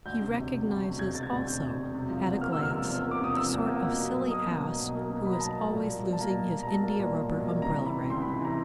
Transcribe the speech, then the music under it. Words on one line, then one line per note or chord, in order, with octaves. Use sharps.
He recognizes also at a glance the sort of silly ass who is always losing his indiarubber umbrella ring.
D2 G6
C3
E1
E1
D2
C3
E1 G#6
E1 A6
G#6
D2
C3 G6
E1
E1
C3
F3
E2
A#3 F6
C3 E6
F6
F3
E2
A#3
D6
C3 D#6
F3 E6
E2
A#3
B2
F#3
B1
A#3 D#6
B2
F#3
B1
A#3
B2
F#3 B5
A#5
B1 A5
A#5
A#3
A#2
G3
B1
A5
A#3 A#5
A#2
G3
A#5
B1 A5
A#3
A#2
G3
B1
A#3
C3 A#5
E3
B5
C#2
C#2 C6
B5
C3
E3 A#5